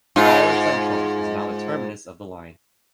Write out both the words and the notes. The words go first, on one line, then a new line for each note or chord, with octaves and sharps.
Gawler Central is now the terminus of the line.
G#2 F4